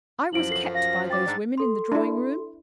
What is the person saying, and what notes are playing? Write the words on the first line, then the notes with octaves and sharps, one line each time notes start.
'I was kept by those women in the drawing-room.
F#2 F3 E4 D7 F#7
A4 C7
F5 A#6
G5 D6 A6
G#2 D4
A4 C6
D4 E4